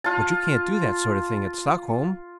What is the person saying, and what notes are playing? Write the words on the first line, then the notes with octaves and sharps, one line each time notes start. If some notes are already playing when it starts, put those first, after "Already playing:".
"But you can't do that sort of thing at Stockholm!"
F4 A5